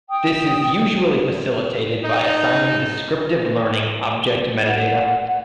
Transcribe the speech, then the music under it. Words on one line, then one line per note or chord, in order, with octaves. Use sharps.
This is usually facilitated by assigning descriptive learning object metadata.
G5 D#6
D#4
F#5